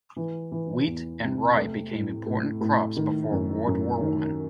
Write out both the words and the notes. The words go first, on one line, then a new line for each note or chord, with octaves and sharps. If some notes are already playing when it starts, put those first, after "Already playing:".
Wheat and rye became important crops before World War One.
E3
E3
E2
C3
A3
A2
A2
A2
D#3
F#2
F#2
D#3